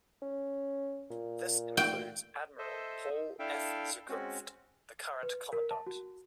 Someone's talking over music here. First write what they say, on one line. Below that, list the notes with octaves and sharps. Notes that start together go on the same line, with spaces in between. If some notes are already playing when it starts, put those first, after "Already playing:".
This includes Admiral Paul F. Zukunft, the current Commandant.
C#4
A#2
G5
A4 C5 D#5 E5
D4 E4 A4 E5 F5 G5
G#3 C4 C#4 F#4
B4
A#4
A5
F#4